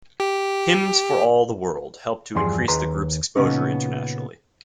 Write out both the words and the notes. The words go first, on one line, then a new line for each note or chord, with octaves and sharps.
"Hymns For All The World" helped to increase the group's exposure internationally.
G4
E2 G2 F3 G3 G#4 C6
D#2 G#4 B4 A#5 C6
A#2 C#3 B3 C#4 D#4